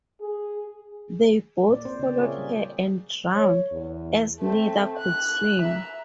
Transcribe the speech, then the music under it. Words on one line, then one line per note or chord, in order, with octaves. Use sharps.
They both followed her and drowned, as neither could swim.
G#4
A#2 A#3 D5
C4 C5
C#3 D5
F4 G#4 A#4 C#5 E5
G3
C#5
E2
A3 C4
F#6
E5 A#5